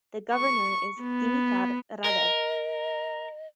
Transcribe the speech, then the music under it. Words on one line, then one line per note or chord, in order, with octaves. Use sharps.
The governor is Dimitar Radev.
C#6
B3
A#4 D#5